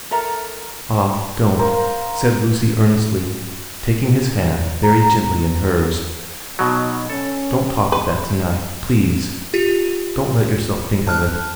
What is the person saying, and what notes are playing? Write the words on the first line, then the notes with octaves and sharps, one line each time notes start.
'Ah, don't,' said Lucy earnestly, taking his hand very gently in hers. 'Don't talk of that to-night please don't let yourself think of it.
A4 A#4 E5 A#5
A#4 C5 F5
A#5
B2 F#3 D#4
C#4 A4
B4
F4 G4
A5 F6 F#6